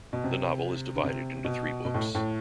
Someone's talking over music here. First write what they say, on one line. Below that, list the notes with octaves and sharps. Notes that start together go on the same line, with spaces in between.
The novel is divided into three books.
B2
C3
D3
C3
B2
B2
A2
A2